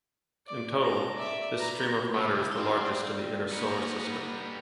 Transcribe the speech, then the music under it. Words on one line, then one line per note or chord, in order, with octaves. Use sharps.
In total, this stream of matter is the largest in the inner solar system.
D5
A5 A#5
D5 E5
B4 A#5
C#3 A3 E4 F5
C4 D4 C6
G3 A#3 B3 D#4 B4 A#5